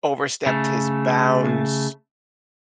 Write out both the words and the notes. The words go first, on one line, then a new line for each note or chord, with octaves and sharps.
overstepped his bounds
C#3 A3